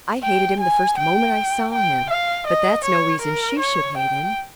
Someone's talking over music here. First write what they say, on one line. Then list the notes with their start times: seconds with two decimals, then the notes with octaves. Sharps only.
I hated him the first moment I saw him; but that's no reason she should hate him.
0.23 G5
0.60 G#5
0.98 G5
1.72 G5
2.10 F5
2.47 D#5
2.85 C#5
3.22 A#4
3.59 C#5
3.97 G5